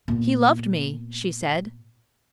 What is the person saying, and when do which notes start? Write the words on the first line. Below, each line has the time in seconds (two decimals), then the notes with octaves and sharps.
"He loved me," she said.
0.08 A#2 B3